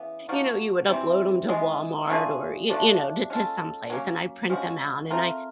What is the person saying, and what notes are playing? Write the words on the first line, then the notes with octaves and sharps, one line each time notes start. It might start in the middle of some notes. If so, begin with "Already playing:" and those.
you know, you would upload 'em to Walmart or, y you know, t to someplace, and I print them out and I
Already playing: C#3 E3 B3
F3 A#3 D#4 F#4
C3 E3 G3 C4
C3 E3 G#3 B3
A3 D4 F4 G#4
C3 F3 A3 D4
G#3 C#4 F4 A4
F#3 A#3 C#4
F3 G#3 C#4 F#4
A3 C4 F4 A#4